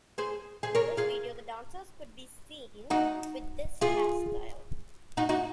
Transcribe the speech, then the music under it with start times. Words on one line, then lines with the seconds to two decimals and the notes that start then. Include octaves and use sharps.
In this video, the dancers could be seen with this hairstyle.
0.18 G#4 C5
0.63 G#4 C5
0.75 A#4 C#5
0.97 F4 G#4
2.90 D#4 F#4
3.81 F4 G#4
5.17 D#4 F#4
5.29 D#4 F#4